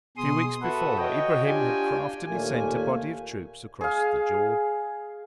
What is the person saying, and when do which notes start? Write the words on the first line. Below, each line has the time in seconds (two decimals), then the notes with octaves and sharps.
A few weeks before Ibrahim had craftily sent a body of troops across the Jordan.
0.17 B2 G#4 C6 D#6
0.62 F#4 A4 B4 E5 F#5
0.98 F#4 C#5 D#5 G5
1.45 D4 F4 G4 G5 G#5
2.27 D#2 A#2 A3 A#3 G#5
3.81 G#4 F5